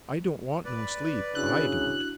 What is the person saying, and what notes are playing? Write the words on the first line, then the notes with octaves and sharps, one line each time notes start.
I don't want no sleep, I don't.
B4 D5
C#3 D4 E4 F#4 F#6